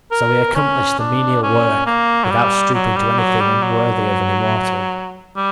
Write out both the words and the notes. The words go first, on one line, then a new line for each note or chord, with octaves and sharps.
So he accomplished the menial work without stooping to anything unworthy of an immortal.
A#4
C#4
D4
C#4
A#3
F#3
G3
F#3
G3
F#3
G3
F#3
G3